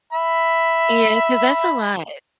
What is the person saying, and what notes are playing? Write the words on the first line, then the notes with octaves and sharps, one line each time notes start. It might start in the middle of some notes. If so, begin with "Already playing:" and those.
Yeah, 'cause that's a lot.
E5 B5